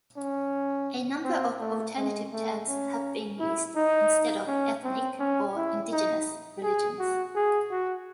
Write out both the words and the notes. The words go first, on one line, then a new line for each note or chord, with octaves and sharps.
A number of alternative terms have been used instead of "ethnic" or "indigenous" religions.
C#4
C4
A3
G#3
A3
C#4
E4
D#4
C#4
C4
C#4
E4
D#4
G#4
F#4
G#4
F#4